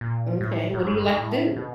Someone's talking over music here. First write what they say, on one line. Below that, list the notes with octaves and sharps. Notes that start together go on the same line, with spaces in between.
M'kay, what do you like to do?
A#2
A2
A2
G#2
G2
G#2
A2
B2